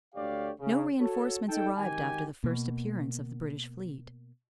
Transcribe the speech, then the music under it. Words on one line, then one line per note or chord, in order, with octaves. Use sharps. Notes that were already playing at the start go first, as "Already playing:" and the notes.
No reinforcements arrived after the first appearance of the British fleet.
D2 D3 G4 C#5 D5 F5
C#3
F#4 A4 C#5
D#4 A4 G5
G#1 D#3 G4 G5 G#5
B2 A#3